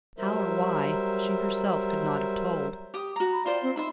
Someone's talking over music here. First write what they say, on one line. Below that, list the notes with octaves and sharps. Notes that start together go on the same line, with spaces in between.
How or why, she herself could not have told.
F#3 G3 A#4 C5 E5
G4 D#6
F#4 A#5
B5
F4 C5 D5 G5
C4
D#4 C5 E5 B5